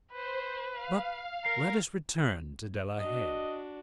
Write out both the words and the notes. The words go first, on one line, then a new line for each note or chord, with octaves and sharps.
But let us return to De la Haye.
B4 C5
F5
A#4 C7
D4 F#4 D#5